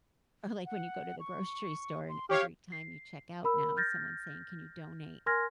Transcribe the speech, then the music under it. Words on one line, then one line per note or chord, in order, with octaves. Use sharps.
Or like when you go to the grocery store and every time you check out now, someone's saying, "Can you donate"
F#5
C#6
C6
G4 C#5 F5 F6
C7
A#4 B5 E6
F6 G6 A6 A#6
A#4 G#5 C6 F6 G#6 A#6